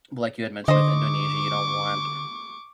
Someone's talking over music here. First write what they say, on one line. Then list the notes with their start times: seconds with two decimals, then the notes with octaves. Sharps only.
like you had mentioned with Indonesia, you don't want
0.68 D3 C5 D#5 C#6 D6